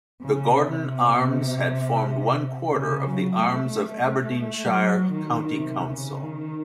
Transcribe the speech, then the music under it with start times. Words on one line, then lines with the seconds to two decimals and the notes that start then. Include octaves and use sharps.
The Gordon arms had formed one quarter of the arms of Aberdeenshire County Council.
0.21 C#3
0.53 C3
2.74 C#3
3.06 F#3
3.38 A3
3.69 A3
4.64 F#3
5.12 D#3
5.59 C3
5.91 C#3
6.22 D#3